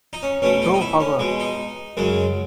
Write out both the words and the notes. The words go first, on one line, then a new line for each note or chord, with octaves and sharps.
Pro Hour.
D#4
C#4
B2 A3 C#4
D#4
D#4
E4
C#4
B2 G#3
D#4
F#2 C#3 G#3